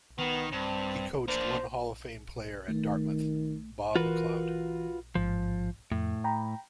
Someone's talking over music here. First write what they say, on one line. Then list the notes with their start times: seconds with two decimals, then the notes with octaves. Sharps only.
He coached one Hall of Fame player at Dartmouth, Bob MacLeod.
0.18 D#3 B3
0.52 G2 C4
1.28 A#3 D4 C5
2.68 D#3 A3
3.96 E3 F4 F#4 A#4 B4
5.15 A1 G#2 F3
5.92 F2 A2
6.24 G5 A#5 B5